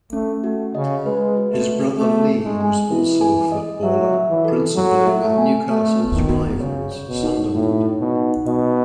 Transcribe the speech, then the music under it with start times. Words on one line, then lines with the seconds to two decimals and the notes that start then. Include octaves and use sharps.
His brother Lee was also a footballer, principally with Newcastle's rivals Sunderland.
0.13 A3 C#4
0.44 A3 F#4
0.75 C#3 D#5
1.06 G#3 B4
1.36 F#4
1.52 A3
1.68 F#4
1.98 A3 G#4
2.29 G#4
2.45 G#3
2.61 G#5
2.90 E3 E4
3.21 G#5
3.52 D#5
3.83 F#3 E5
4.14 E5
4.30 E3
4.45 A4
4.76 F#3 A4
5.06 E5
5.22 A3
5.38 G#5
5.68 A3 C#5
5.99 B3
6.14 D#3
6.30 F#4
6.60 C#3 C#5
6.92 C#5
7.08 B2
7.23 D#4
7.54 A2 F#4
7.84 D#4
8.00 B2
8.15 D#4
8.46 B2 D#5